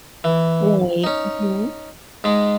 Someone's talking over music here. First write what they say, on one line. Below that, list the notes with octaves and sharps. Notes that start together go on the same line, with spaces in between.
Right. Mhm.
E3
C#4 D#4
G#2 G#3